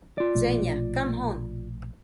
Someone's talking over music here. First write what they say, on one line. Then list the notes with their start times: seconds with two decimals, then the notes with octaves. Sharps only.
Zhenya, come on!
0.18 F4 D5
0.35 A#1 B2 A3